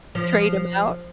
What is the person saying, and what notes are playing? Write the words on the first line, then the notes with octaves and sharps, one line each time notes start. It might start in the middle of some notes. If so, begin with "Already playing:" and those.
Trade 'em out?
F3